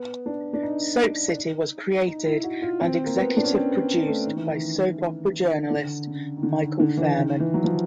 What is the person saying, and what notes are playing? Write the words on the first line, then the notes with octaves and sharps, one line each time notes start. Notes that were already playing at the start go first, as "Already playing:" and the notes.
SoapCity was created and executive produced by soap opera journalist Michael Fairman.
Already playing: B3
D4
D4
D#4
D#4
E4
F#4
F4
C4
A#3
B3
D4
C#4
C4
B3
A3
D#3
E3
D#3
D3
C#3
D#3
D3
D#3
D3
E3
D#3
E3
F#3
F3